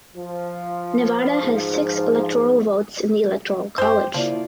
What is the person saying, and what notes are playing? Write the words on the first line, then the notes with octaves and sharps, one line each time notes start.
Nevada has six electoral votes in the Electoral College.
F3 F4
G#2
F#2 G4 C5
C#3 F3 A#3 E4 F4 D5